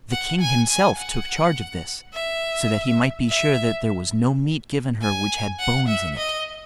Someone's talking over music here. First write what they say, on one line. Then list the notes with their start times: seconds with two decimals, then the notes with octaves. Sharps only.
The king himself took charge of this, so that he might be sure that there was no meat given her which had bones in it.
0.11 F#5
0.40 G#5
0.70 G#5
0.98 F#5
2.13 E5
3.29 E5
5.01 G#5
5.59 F#5
5.88 E5
6.17 D#5